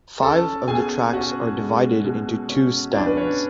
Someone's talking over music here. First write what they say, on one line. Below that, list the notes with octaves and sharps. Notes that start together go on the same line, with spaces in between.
Five of the tracks are divided into two stands.
C#4 A4 A5
B2 G#4 G#5
C#4 F#4 F#5
G#3
B2
C#4
C#4 D4 D5
B4
C#4 C#5